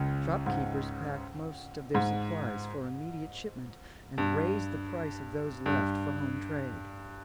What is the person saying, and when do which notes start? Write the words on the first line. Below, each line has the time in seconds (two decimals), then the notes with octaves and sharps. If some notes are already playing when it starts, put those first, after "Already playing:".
Shopkeepers packed most of their supplies for immediate shipment, and raised the price of those left for home trade.
Already playing: C#2 C#3
0.46 G#2
1.94 G#2
4.18 G2
5.66 G2